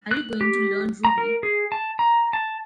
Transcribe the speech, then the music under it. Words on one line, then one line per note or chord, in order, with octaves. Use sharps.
Are you going to learn Ruby?
F#6
G4
A#5
A#4
G#4
A5
A#5
A5